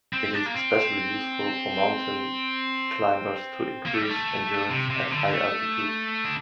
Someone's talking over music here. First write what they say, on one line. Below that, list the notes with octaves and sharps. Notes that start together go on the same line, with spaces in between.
It is especially useful for mountain climbers to increase endurance at high altitudes.
C4
D4
A#3
C4
A#3
A3
G3
A3
C3
C3
D3
A3
D4